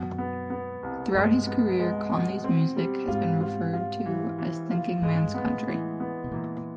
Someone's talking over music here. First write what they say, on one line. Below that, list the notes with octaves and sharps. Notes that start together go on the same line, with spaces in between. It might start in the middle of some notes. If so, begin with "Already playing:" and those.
Throughout his career, Conley's music has been referred to as thinking man's country.
Already playing: F#2 B2
B3
B3
C2
G2 G#3
B3
G#3
B2
C4
G3
G#2 F4
F4
F4
E3
E3
F4
G#2 G#3
G2
B3
A2
E3
B3
B2
A#2 E3